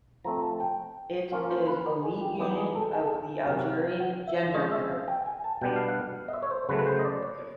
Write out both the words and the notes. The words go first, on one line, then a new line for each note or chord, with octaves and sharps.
It is elite unit of the Algerian gendarmerie.
F3 A3 C4 A#5
A5
G5
F3 A#3 C#4 F4 F5
C5
B4
A#4
G#4
G4
E3 G3 B3 D#4 G4
G#4
A4
G#4
A4
G#4
C3 D#3 F#3 F5
F#5
F5
F#5
E5
F3 G#3 C#4 F4 D#5
E5
F5
G5
G#5
A5
B2 G3 B3 D4 G5
F5
F#5
D#5
E5
C#5
C5
C#3 F#3 A3 B4
B4
C5
D#5
D5
C#5